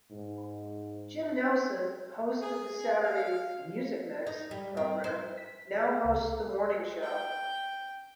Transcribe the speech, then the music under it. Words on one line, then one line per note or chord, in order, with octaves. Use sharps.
Jim Nelson, host of the Saturday "Music Mix" program, now hosts the morning show.
G#2
G#4
F5
D#4
G3
C4
C5
B6
G#4
C#2
G5